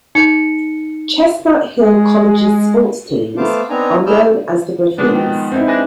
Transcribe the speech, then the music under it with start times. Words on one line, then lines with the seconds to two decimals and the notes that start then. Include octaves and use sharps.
Chestnut Hill College's sports teams are known as the Griffins.
0.15 D#4 C#7
1.79 G#3
3.37 A3 B3 C5 F5 A5 D6
3.70 B3 C4 D4 D#4 G#5 A#5
4.06 E4 G#4 D5 E6 F6 G6
4.98 F3 G#3 B3 D4
5.12 D#3
5.52 C4 D#4 E4
5.67 G#3 D4 B4 G#5 A#6